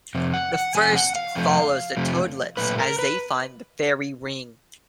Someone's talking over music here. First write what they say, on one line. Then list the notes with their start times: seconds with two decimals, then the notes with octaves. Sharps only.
The first follows the Toadlets as they find the Fairy Ring.
0.15 F2 C3
0.34 F#5
0.54 F#5
0.75 F2 C3 F3 A3 G#5
0.95 F#5
1.15 F5
1.35 F2 C3 F3 A3
1.97 F2 C3 F3 A3
2.57 A#2 F#3 A3 B4
2.78 A#4
2.99 B4